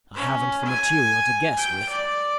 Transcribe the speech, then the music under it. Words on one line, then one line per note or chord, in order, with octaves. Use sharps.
I haven't the material to guess with.
C#4
G#5
G5
D5